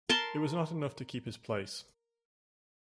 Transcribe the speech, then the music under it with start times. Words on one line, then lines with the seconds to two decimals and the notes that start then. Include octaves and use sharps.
It was not enough to keep his place.
0.09 A#4 A5 C6